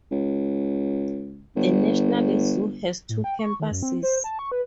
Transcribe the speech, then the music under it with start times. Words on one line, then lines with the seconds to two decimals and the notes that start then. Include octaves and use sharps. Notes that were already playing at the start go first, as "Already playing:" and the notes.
The National Zoo has two campuses.
0.11 C#2
1.56 G1
3.09 A2
3.24 G5
3.39 C#6
3.60 D#3
3.71 F#2
3.83 C4
4.03 C5
4.24 A5
4.39 C#6
4.52 B4